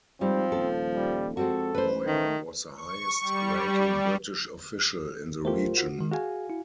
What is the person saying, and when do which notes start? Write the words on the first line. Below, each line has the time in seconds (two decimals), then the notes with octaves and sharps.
Moyne was the highest ranking British official in the region.
0.21 G#2 F3 G3 C4
0.52 D#1 A4
0.95 G3
1.37 F2 G#3 C4 F#4 A4
1.75 A1 B4 C5
2.07 D#3 A3
2.77 C#6
3.21 G3
5.45 A3 F4 G4 A#4 C5
5.77 F#4
5.99 D#3 G#3
6.12 F#4 G#4 F5 G#5
6.50 E4